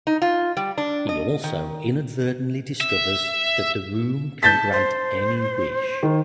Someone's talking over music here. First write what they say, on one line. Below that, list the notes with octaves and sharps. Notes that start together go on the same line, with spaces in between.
He also inadvertently discovers that the Room can grant any wish.
D#4
F4
G3
D4
D#5
D#3
E5
A5 G6 A6 B6
C5
D#3